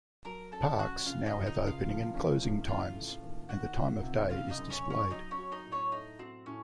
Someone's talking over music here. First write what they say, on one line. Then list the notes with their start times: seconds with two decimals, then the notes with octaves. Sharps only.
Parks now have opening and closing times, and the time of day is displayed.
0.25 F#3 A#4 A#5
0.52 C#4 A4 A5
0.79 C#3 F#4 F#5
1.06 C#3 F4 F5
1.26 D#4 D#5
1.33 C#2
1.46 D#4 D#5
1.60 C#2
1.67 F4 F5
1.88 F3
2.14 C#4
2.41 A2
2.68 C#3 F4 F5
2.95 A3
3.23 D#2
3.49 D#3 F#4 F#5
3.76 F4
4.03 C3
4.30 C#3 F4 F5
4.50 D#4 D#5
4.57 F#2
4.70 C#4 C#5
4.85 F#2
4.90 C#4 C#5
5.11 F#3 D#4 D#5
5.31 C#4 C#5
5.38 F#4
5.52 D#4 D#5
5.65 A2
5.72 C#4 C#5
5.91 A3 D#4
6.19 C4 F#4
6.46 A2 C#4